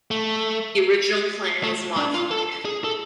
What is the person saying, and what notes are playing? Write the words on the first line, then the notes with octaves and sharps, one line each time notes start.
The original plan was modified.
A3
A3
D4
F4
A4
G#4
A4